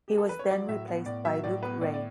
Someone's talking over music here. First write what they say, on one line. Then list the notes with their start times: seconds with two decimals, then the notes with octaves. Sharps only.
He was then replaced by Luke Ray.
0.08 G4
0.18 A4
0.29 B4
0.39 C#5
0.50 F#3 D5
0.68 A2 E5
0.88 B3
1.06 A2 D5
1.25 F#3 E5
1.44 A2 D5
1.63 B3 B4
1.81 A2 D5
1.94 D5